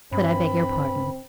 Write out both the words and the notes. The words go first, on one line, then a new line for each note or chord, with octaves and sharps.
But, I beg your pardon.
G2 C4 B5